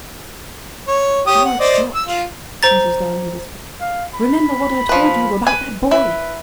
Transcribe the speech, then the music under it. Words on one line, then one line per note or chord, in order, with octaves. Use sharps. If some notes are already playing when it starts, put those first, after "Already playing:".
"George, George," Mrs. Darling whispered, "remember what I told you about that boy."
C#5
G4 C#5 D#6
F#5
C5 D5 D#5
E6
F4
C5 A#5 A6
F5
B5
F3 B4
B4 G#5
E4 B4